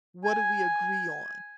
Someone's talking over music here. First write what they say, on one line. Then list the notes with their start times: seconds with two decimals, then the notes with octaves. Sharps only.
What do we agree on."
0.24 G#5